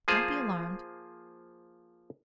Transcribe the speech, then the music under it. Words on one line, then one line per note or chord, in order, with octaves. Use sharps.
Don't be alarmed.
F3 A#3 F4 G#4 C5